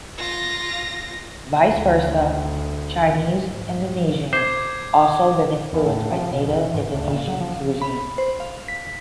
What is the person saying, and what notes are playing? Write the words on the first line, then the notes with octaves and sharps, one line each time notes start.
Vice versa, Chinese Indonesian also been influenced by native Indonesian cuisine.
F4 A#6
D2
G#2
C5 D6 G#6
E2
A2
F3
B2
E1
E3
G#2
D2
A#2
F#3
F3
B5
C5
F5
B6